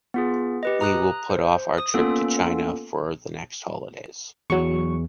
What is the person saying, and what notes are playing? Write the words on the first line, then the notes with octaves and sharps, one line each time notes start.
We will put off our trip to China for the next holidays.
B3 F4 G#4
G4 B4 D#5
A#5 D#6 F#6
C5
D#6
A#3 B3 C#4 F4 A4
E2 F#3 C#6